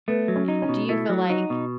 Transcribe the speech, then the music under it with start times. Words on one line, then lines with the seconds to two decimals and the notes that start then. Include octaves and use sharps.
eh do you feel like
0.08 A3 B3
0.28 F#3
0.36 C#4
0.48 D#4
0.62 C#4
0.69 B2
0.89 A3 E4
1.09 F#3
1.30 D#4 F#4
1.50 B2